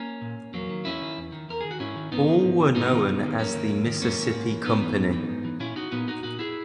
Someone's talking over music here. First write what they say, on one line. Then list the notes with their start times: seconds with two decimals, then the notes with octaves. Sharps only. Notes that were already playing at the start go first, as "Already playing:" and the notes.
All were known as the Mississippi Company.
Already playing: A#3 C#4
0.21 A#2
0.53 E2 F#3 A#3
0.69 D#3
0.85 E2 C#4 E4
1.02 D#3
1.17 E2
1.32 D#3
1.48 E2 A#4
1.61 D#3 G#4
1.71 F#4
1.80 G#2 C#4 E4
1.96 D#3
2.12 G#2 B3 D#4
2.28 D#3
2.44 G#2
2.60 D#3
2.75 G#2 B3 D#4
2.91 D#3
3.07 F#2
3.23 D#3
3.38 F#2 A#3 C#4
3.55 D#3
3.70 F#2
3.86 D#3
4.01 F#2 A#3 C#4
4.18 D#3
4.34 G#2
4.50 E3
4.65 G#2 B3 D#4
4.81 E3
4.98 G#2
5.13 E3
5.29 G#2
5.45 E3
5.60 A#2 C#4 E4
5.76 D#4 F#4
5.92 A#2 B3 D#4
6.08 D#4 F#4
6.23 A#2 D#4 F#4
6.39 E4 G#4